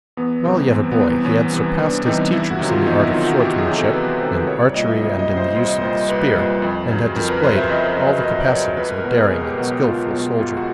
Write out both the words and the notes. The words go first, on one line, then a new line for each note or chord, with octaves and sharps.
While yet a boy he had surpassed his teachers in the art of swordsmanship, in archery, and in the use of the spear, and had displayed all the capacities of a daring and skillful soldier.
E2 B3
C3 E3 G3 C4
E2 C4
B3
C3 E3 G3 C4
E2 C#4
C3 E3 G3
E2 D4
C3 E3 G3 D#4
E2 E4
F#4
C3 D#3 F#3
F4
E2 D#4
E4
C3 D#3 F#3 F4
F#4
E2 G4
G#4
C3 D#3 F#3
A4
E2 B4
B4
C3 D#3 F#3 C5
C2 C#5
D5
A#2 G3 D#5
E5
C2 D#5
D#5
A#2 G3
C5
C2 C5
D#5
A#2 G3 C5
C2 B4
A#2 G3
F2
C#3 F#3
F2 A#4
B4
C#3 F#3 C5
E5
F2 D#5
C#3 F#3
F2 D#5
D5
C#3 F#3 C#5
C#2 B4
A#4
B2 F#3
G#4
C#2 G#4
G4
B2 F#3 F#4
G4
C#2 F4
B2 F#3
C#2 F4
F#4